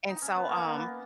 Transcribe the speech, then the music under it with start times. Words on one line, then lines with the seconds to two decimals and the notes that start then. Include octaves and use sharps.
and so, um
0.09 D#4
0.22 C#4
0.36 B3
0.49 A#3
0.63 A#3
0.74 B3